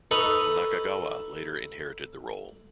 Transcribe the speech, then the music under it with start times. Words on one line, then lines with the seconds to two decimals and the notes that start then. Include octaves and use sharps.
Nakagawa later inherited the role.
0.11 D#4 A4 B4 C#6 D#6